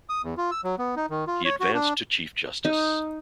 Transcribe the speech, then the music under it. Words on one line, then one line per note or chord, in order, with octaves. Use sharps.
He advanced to Chief Justice.
D#6
E2
F4
E6
F#3
B3
D#4
D#3
F4
C#5
F#4
D4
D#4